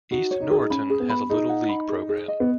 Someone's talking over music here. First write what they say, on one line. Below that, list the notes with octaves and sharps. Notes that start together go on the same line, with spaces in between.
East Norriton has a little league program.
D#4 F#4
C#5
D#4
F#4 G#4
D#4
C#4 B5
G#4
B3
B5
D#4 G#4
F#5
B5
G#4
G#4
D#5
B3